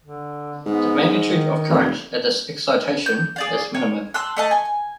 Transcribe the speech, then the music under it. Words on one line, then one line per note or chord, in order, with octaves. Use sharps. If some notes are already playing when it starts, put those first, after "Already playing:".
The magnitude of current at this excitation is minimum.
D3
G#2 B3
D#3
F1
G6
G#4 D5 F5
C#5
A5 C6 E6 F#6
A3 D#5 A5
G#5